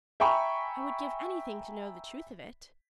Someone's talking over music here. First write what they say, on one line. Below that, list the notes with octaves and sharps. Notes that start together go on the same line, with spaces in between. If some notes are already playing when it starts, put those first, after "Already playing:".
I would give anything to know the truth of it.
E5 G5 G#5 A#5 B5 C#6